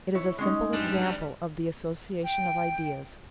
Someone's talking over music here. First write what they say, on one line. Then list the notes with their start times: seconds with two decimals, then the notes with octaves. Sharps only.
It is a simple example of the association of ideas.
0.15 E4 C#5
0.38 G#3 C#4 D#4
0.73 G3 D4
2.24 G5